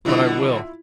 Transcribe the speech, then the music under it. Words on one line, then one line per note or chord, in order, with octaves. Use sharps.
But I will.
B2 D3 F#3 E4 F4